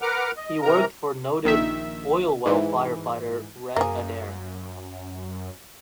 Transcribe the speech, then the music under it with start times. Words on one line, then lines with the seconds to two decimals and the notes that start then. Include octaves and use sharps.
He worked for noted oil well fire-fighter Red Adair.
0.02 A#4 B4 F#5 A#5 D6 F6
0.36 D#5
0.62 C3 E3 A#4 A#5
1.44 A#1 D#3 E5
2.46 G#2 E3
3.76 F#2 A#3 G#4